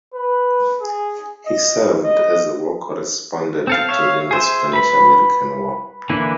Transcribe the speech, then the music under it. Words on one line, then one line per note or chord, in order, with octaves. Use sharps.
He served as a war correspondent during the Spanish-American War.
B4
G#4
D#5
D#5
C4 A4 F5
C#5 E5 F5
G#4 C5 E5
B4 B5
D3 E3 A#3 D4 E4